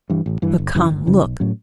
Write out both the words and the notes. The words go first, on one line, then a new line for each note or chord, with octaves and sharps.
But, come--look!
G2 E3
A1
G2 E3
G1
F#2 C#3 E3
G1
F#2 C#3 E3
B1
A2 F#3 C#4